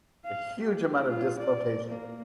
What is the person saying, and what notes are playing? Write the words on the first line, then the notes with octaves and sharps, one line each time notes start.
a huge amount of dislocation.
F5
G4
F4
D5
A#3